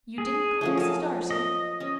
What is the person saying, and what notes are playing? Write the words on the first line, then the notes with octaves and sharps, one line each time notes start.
"You didn't call Mrs. Darcy?"
G#4
F3 F#3 A3
A#4 A5
D#5
C#4